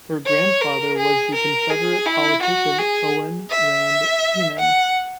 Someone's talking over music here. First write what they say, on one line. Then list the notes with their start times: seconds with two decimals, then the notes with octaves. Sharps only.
Her grandfather was the Confederate politician Owen Rand Kenan.
0.26 C#5
0.61 A#4
0.97 G#4
1.34 A#4
1.70 G#4
2.06 E4
2.42 F#4
2.78 G#4
3.50 E5
4.59 F#5